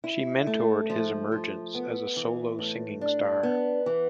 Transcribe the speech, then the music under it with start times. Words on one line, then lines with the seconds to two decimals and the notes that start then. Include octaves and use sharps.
She mentored his emergence as a solo singing star.
0.04 E4
0.47 A3
0.90 F3
1.32 F3
1.75 B3
2.16 E3
2.59 A2
3.01 D4
3.43 B3
3.86 E3